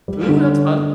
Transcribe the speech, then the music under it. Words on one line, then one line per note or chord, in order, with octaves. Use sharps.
Ooh, that's fun.
G3
D3